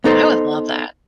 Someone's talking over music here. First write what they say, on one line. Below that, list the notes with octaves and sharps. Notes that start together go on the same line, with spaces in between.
I would love that.
B3 D#4 A4 C5